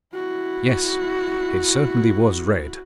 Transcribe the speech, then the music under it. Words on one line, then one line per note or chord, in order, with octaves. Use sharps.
Yes! it certainly was red!
E4 F#4